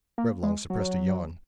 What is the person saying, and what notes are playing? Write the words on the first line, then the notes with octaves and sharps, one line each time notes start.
Reblong suppressed a yawn.
A#3
G#3
F#3